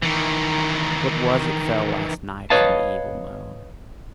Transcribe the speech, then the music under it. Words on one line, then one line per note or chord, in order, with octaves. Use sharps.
What was it fell last night from the evil moon?
D#3 E3
B4 C#5 D#5 F5 A5